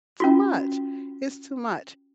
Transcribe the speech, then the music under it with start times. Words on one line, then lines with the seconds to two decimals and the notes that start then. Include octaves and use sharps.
too much, it's too much.
0.20 C#4 F4 F#4